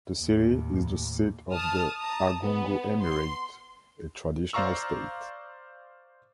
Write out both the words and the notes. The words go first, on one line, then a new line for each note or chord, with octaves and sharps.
The city is the seat of the Argungu Emirate, a traditional state.
D#2 A2
A5 D#6 F6
A5 A#5 D#6
B3
C6
C5 D5 F5 A#5 C#6 E6